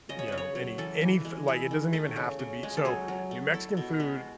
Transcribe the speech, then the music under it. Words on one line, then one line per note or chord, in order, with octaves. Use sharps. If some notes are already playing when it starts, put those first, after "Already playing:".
you know, any any f like, it doesn't even have to be so, New Mexican food
C#3 D#5
C#5
C#3 B4
C#5
F#3
E3 A4
E3
G#3
E4 G#4
D#3
A3
C#3
C#3
G#3
A4
F#3 G#4
F#3
A3
E4 A4
B2
G#3